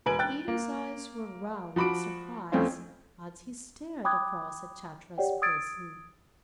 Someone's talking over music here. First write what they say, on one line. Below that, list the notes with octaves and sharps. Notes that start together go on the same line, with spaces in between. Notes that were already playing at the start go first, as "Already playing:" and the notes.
Peter's eyes were round with surprise, as he stared across at Chatterer's prison.
E1 B4 G#5 D7 F#7
G5 F#6 A6
A#3
F3 F#4 B5 D6 D7
F2 A3 C4 C#4 F4
G5 B5 D6 D#6 F#6 G#6
G4 C#5 D5 F#5 G5
D#6 E6 G#6 A6 D7